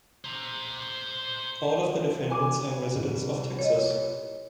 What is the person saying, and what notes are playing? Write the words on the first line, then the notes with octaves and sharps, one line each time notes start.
All of the defendants are residents of Texas.
C5 A#5
B4 G#5 D6
C2
C#5 D#5